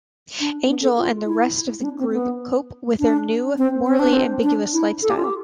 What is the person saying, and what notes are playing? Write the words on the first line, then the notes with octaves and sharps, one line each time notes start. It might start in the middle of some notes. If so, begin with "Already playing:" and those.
Angel and the rest of the group cope with their new, morally ambiguous lifestyle.
D4
B3
A4
F4
E4
C4
D4
C4
B3
D4
C4
C4
D4
C4
D4
E4
A4
G4
F4
G4